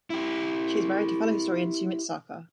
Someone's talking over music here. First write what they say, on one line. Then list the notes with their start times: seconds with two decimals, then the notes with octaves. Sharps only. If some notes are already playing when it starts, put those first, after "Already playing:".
She is married to fellow historian, Sumit Sarkar.
0.10 E4 G4